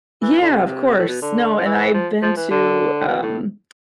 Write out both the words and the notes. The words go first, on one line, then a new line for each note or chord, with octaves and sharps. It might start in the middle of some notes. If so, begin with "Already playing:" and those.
Yeah, of course. No, and I've been to, um,
E3
D3
C3
A2
B2
D3
F3
E3
F3
F3
E3
D3
B2
A2